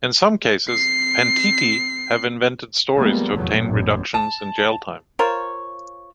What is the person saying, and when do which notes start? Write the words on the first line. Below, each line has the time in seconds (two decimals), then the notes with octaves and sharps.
In some cases, "pentiti" have invented stories to obtain reductions in jail time.
0.70 C4 C7
2.96 F3 G3 G#3 A#3 B3
3.33 F1 E2 A#2 F#3 A3 B3
3.66 A1 F#2
4.14 A5
5.19 F4 A#4 C5 C#5